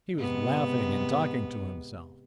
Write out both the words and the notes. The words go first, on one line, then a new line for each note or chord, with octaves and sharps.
He was laughing and talking to himself.
G#2 C3 B3